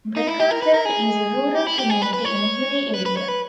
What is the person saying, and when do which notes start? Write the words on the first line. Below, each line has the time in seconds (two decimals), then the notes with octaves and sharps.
Breckerfeld is a rural community in a hilly area.
0.17 D#4
0.27 E4
0.40 G4
0.51 A#4
0.62 B4
0.74 A#4
0.85 G#4
1.55 G4
1.67 E4
1.78 G4
1.90 G#4
2.02 B4
2.13 B4
2.25 C#5
2.94 B4
3.06 B4
3.17 C#5
3.28 B4